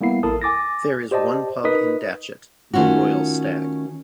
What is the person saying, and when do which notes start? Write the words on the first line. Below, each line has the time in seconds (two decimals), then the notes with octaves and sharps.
There is one pub in Datchet, The Royal Stag.
0.01 G3 A#3 B3 E4 C7
0.23 A1 E4 A4 A#4 A5 D#6
0.42 G#5 D6 A6 A#6
1.11 G4 C5 D5 D#5 A5
1.64 D#4 A#4 B4 D#5 D#6 B6
2.73 D#3 A3 C#4 F4 F#4